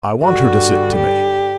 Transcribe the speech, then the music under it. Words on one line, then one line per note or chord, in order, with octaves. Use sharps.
I want her to sit to me.
G2 D3 G3 F#4
G4